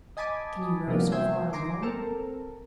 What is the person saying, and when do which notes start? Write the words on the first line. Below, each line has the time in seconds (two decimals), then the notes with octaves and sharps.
"Can you row so far alone?"
0.17 D#5 G#5 A5 B5 D6 D#6
0.88 C3 D#3 F3 G3 A#3 B3
1.12 E5 G5 G#5 C6 E6
1.53 G#5 A#5 C6 D6
1.82 C4 A4 A#4